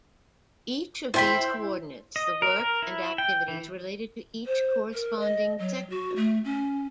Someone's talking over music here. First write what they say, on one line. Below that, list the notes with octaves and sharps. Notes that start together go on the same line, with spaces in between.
Each of these coordinates the work and the activities related to each corresponding sector.
E4 C5 G5 B5 C6 B6
D#5
A#4
A#4
E4
G5
E3
C5
A#4
D#5
F#3
F#4
A3
C#4